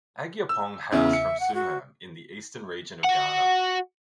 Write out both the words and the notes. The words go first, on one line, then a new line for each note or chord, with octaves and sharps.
Agyapong hails from suhum in the eastern region of Ghana.
E6
E2 C#3 E5
C#7
F#5
F#4
F#4 F#5